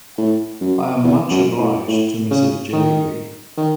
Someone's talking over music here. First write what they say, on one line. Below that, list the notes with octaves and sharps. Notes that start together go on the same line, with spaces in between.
I am much obliged to Mrs. Jellyby.
A2
F#2
E2
F#2
A2
A2
C#3
D#3
D#3